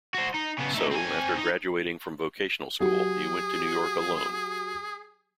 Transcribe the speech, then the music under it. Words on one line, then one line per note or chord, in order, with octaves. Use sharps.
So, after graduating from Vocational School he went to New York alone.
F#4 C5
D#4
C#3 B3
A3 D#4
C4 G#5
D#4
F#3 G4 G#4